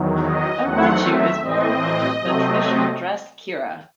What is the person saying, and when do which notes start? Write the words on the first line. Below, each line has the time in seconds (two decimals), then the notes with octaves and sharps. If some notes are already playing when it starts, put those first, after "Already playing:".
A rachu is worn over the traditional dress kira.
Already playing: E2 D#3 F#3
0.24 D#5
0.63 E2 D#3 F#3 A3 C4 F#5
1.03 E5
1.42 A2 E3 C4 D#5
2.21 C3 F#3 A3 C4